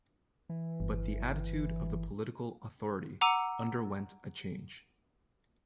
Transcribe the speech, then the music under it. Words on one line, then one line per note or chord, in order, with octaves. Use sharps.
But the attitude of the political authority underwent a change.
E3
G1
F#5 A#5 D6 E6 C#7 D#7